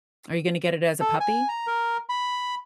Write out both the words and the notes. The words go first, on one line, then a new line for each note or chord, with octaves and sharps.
are you gonna get it as a puppy?
A4
G#5
A#5
A#4
B5